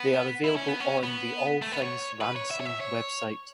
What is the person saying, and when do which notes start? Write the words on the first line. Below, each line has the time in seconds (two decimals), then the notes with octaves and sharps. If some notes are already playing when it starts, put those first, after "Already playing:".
They are available on the "All Things Ransome" website.
Already playing: B3
0.44 E4
0.56 C#4
0.68 B3
0.80 C#4
1.03 B3
1.62 A3
1.72 B3
1.82 C#5
2.21 B4
2.36 C#5
2.51 E5
2.60 C#5
2.65 E5
2.80 C#5